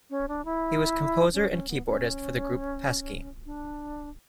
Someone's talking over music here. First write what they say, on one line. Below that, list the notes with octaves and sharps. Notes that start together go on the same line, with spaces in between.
He was composer and keyboardist for the group Pesky.
C#4
D4
E4
C#4
C#4
B3
C#4
D4